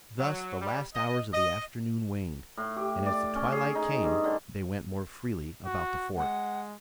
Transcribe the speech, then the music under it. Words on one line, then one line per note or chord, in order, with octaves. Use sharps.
Thus the last hours of the afternoon waned, and as the twilight came, they went more freely about the fort.
F#3
G3
D#5
D#5
A2
G4
D5
C#4
G#4
D#4
G2
D3
F#4
G#3 F#5